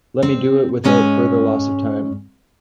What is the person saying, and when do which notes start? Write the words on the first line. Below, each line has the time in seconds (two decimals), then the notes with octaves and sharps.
Let me do it without further loss of time.
0.23 C4
0.84 G#2 G#3 C#4 A4 G#5